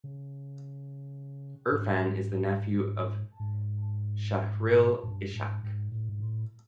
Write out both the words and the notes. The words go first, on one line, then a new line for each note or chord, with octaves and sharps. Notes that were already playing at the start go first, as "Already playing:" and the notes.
Irfan is the nephew of Shahril Ishak.
C#3
G#2
G#2
G#2
G2
G#2
G#2
A2
G#2
A2